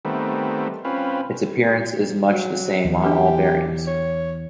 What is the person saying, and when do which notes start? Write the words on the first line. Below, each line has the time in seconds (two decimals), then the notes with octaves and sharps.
Its appearance is much the same on all bearings.
0.05 D#3 G3 A3 B3 C4
0.85 C4 C#4 F4 B4
2.31 F#3
2.85 E2
3.04 D4 G4 B4
3.87 C#5